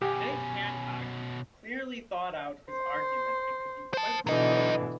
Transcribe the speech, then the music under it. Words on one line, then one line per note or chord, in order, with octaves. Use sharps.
Nick Hancock clearly thought out his argument and could be quite strict.
B2 C#4 G4 G#5
C5
C5 A5
B2 D3 E3 F#3 D#5